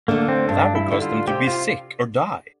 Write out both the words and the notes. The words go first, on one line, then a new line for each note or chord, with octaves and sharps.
That would cause them to be sick or die.
D3 A3 A#3
C4
G2 D4
E4
D3 G3 E4
F4
C3 G4
F4